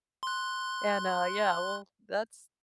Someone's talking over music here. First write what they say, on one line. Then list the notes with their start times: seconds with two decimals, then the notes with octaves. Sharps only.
and, uh, yeah. Well, that's
0.23 C6 F#6